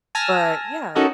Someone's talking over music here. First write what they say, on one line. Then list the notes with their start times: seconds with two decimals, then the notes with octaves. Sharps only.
but, yeah,
0.15 G#5 A5 E6 F6 A#6
0.95 C#4 D#4 F#4 A4 A#4 D#5